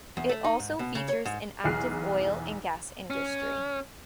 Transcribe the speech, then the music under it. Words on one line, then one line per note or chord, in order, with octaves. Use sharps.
It also features an active oil and gas industry.
E2
A3
D#4
G#2
B2
C#3
C#5
G#2
B1 E2 G#4 F6 F#6 C7
C#4